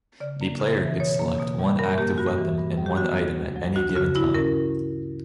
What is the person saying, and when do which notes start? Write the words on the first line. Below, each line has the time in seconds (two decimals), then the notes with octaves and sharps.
The player could select one active weapon and one item at any given time.
0.20 C#3 D5
0.41 A#3
0.60 C#3
0.80 E3
1.00 B2 C#5
1.19 A#3
1.39 B2
1.59 G3
1.79 G2 A#4
1.98 A#3 G4
2.18 G2 F#4
2.38 E3
2.58 G2
2.77 G3
2.86 G4
2.97 B3 F#4
3.17 E3
3.37 D2
3.56 F#3
3.76 D2 F#4
3.96 C#3 F#4
4.15 G2 E4
4.35 C#4 A#4